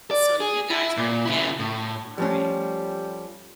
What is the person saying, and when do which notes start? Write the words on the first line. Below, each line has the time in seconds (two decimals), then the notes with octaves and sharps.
So you guys are together, right.
0.11 D5
0.40 G#4
0.70 E4
0.97 A#2
1.25 C#3 E4
1.59 A2
2.18 F3 G3 A3 C#4